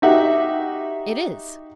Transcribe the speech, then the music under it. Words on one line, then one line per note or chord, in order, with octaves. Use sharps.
"It is."
D#4 F#4 G4 E5 F#5